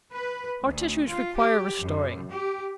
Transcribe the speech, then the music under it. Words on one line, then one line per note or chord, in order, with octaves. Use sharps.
Our tissues require restoring.
B4
D2
F4
G4
F#2
G4